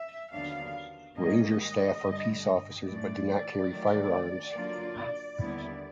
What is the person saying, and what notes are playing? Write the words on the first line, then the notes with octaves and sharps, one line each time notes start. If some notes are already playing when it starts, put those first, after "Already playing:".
Ranger staff are peace officers but do not carry firearms.
Already playing: E5
D#2 D3 F#3 B3 D4 F5
G#2 D#3 G3 A#3 C#4 D#5
G2 D3 G3
A2 E3 A3 D5
D#3 F#3 A3
D3 F#3 A#3 D4 F4
D#2 D3 G3 B3 E4